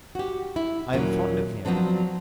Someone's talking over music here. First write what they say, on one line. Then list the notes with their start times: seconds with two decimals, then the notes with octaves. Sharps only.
I am fond of him.
0.15 F#4 G4
0.56 E4
0.93 D#2 A#2 F#3 A#3 C#4
1.65 F3 F#3 B3 C4 D4